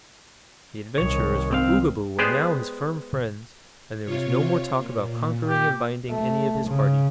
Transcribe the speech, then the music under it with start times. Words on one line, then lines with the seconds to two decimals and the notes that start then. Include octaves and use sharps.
The adventurers from Oogaboo were now his firm friends, and there was no more talk about conquering and binding any of his party.
0.98 C2 D#3 C#5
1.53 C4 F5
2.19 G#3 B3 G4 G#4 C5 D5
4.04 C3 F4 C#5
4.77 A#2
5.48 G4
6.10 A3
6.67 C#3